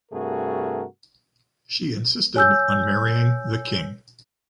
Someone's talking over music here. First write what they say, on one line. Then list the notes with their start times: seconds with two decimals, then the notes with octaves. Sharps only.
She insisted on marrying the king.
0.12 G2 C3 A3 F#4 G#4 A#4
2.36 C#5 G#5 E6 G6